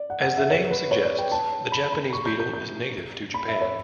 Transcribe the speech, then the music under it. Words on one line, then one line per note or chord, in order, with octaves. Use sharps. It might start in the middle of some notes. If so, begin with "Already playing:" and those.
As the name suggests, the Japanese beetle is native to Japan.
Already playing: D5
F#5
F#5
E5
C#5
B4
C#5
D5
G5
A5
B5
B5
C#6
G6
G6
G6
B5
E5
C#5